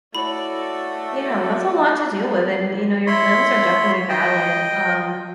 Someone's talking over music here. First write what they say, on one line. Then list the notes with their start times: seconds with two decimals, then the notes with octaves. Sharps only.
Yeah, well, that's a lot to deal with, and, you know, your feelings are definitely valid. Um,
0.15 A3 E4 F#4 A4 C#5 D5 B5
3.07 E4 C#5 B5 C6
4.09 D#5 G5